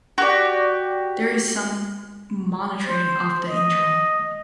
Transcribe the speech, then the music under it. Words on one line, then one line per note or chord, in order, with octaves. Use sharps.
There is some monitoring of the Internet.
F#4 G4 D5
C5
D#5